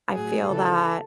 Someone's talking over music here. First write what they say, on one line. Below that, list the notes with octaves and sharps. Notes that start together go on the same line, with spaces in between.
I feel that.
A2 F#3 G#4
C#3 E3 G3 A4